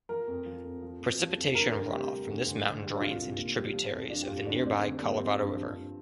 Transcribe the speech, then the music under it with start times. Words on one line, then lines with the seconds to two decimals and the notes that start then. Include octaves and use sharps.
Precipitation runoff from this mountain drains into tributaries of the nearby Colorado River.
0.09 F3 A#4
0.28 F2
0.46 F3
0.64 F2
0.82 F3
1.00 F2
1.19 F3
1.37 F2
1.55 D2 A#4
1.73 D2
1.91 C3 G4
2.10 G3
2.27 D2
2.46 D2
2.64 D3
2.82 G3
2.96 D4
3.00 C2 F4
3.19 C2
3.36 A#2
3.55 G3
3.73 F3
3.91 F2
4.10 F3 D4
4.22 G4
4.28 F2 F4
4.46 D2 D4
4.56 C4
4.64 D2 D4
4.82 D3 C4
5.00 G3 A#3
5.18 F3 C4
5.37 G2
5.55 F3
5.73 G2